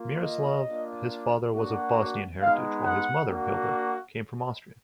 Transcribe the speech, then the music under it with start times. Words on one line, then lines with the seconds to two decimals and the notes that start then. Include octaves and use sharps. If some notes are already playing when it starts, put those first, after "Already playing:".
Miroslav, his father was of Bosnian heritage while his mother, Hilda, came from Austria.
Already playing: A#3 F4
0.22 D#5
0.66 A#3 D4 F4
1.54 A#3 D4 F#4
2.40 G#3 B3 D#4 F5
2.83 F#5
3.27 A#3 D4 F#4